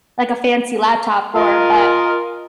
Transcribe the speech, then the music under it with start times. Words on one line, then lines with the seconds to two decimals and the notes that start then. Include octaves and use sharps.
like, a fancy laptop for, but.
1.35 F4 A#4 D#5